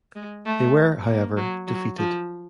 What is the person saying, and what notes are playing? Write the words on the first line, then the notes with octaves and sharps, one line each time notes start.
They were, however, defeated.
G#3
A3
A#3
F#3
F#3
F3